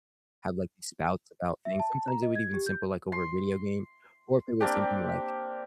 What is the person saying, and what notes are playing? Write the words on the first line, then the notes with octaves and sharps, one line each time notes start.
have, like, these spouts about things, sometimes it would even simple, like, over a video game or if it was something like,
E5
A5
A#5
D#5
G#6
G4
G6
C6
A#3 C4 D4 G4